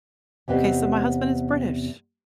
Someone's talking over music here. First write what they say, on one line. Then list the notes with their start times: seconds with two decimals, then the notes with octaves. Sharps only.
Okay, so my husband is British,
0.48 E2 C3 B3 C4 D#5